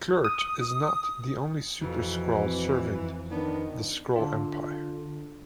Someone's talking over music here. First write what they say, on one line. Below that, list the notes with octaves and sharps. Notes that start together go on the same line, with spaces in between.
Kl'rt is not the only Super-Skrull serving the Skrull Empire.
D#6
F2 B2 E3
C4
D#3 B3 D4
D3 D4 F4